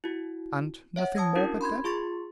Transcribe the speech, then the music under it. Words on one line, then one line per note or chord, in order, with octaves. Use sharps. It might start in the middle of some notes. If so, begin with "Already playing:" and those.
"And nothing more but them?"
E4 F#4
C#5 E5 F#5
A5 D#6 E6 G#6 A#6
C#4 D4 E4 F#4 A#4
B5 C6 G6 G#6
F4 G#4 C6 C#6 A6